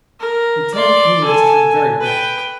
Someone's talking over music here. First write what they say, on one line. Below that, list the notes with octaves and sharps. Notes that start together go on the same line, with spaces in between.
Lieutenant Haines turned very red.
A#4
D5 C6
A4 G#5
B4 G5